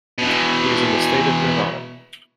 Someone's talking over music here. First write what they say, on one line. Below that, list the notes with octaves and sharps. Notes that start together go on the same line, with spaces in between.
He is in the state of Nirvana.
B2 E3